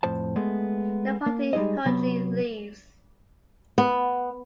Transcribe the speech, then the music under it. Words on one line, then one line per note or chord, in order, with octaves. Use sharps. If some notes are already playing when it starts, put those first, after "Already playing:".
The party hurriedly leaves.
F2 A2 C5 A5
G#3 A3 B3
A#3
G3 G#3 D#4 G#4 D#5
C3 F#3 B3
B3